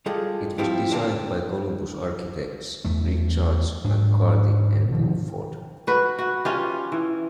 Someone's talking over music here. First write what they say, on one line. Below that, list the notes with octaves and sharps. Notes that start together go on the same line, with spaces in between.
It was designed by Columbus architects Richards, McCarty and Bulford.
G3 G#3 F4 G#4 A4
F3 G3 C4 E4 F4 G4
A#2 D3 A#3 C4 D4
E2 A3
G#2 D4
B2 D#3 F3
F#4 B4
F#4
C#4 F4 G4
E3